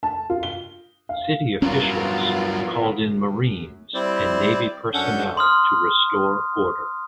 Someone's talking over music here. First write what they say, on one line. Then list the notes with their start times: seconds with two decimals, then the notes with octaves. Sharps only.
City officials called in Marines and Navy personnel to restore order.
0.03 A5
0.30 F4
0.43 G7
1.09 F5
1.62 G2 F#3 B3 C#4 E4 F4 A#4
2.99 F#2
3.94 G3 C4 E4 C5 D5
4.94 F#2 C#4 D4 A4 F#5 G6
5.37 C6 D#6 F6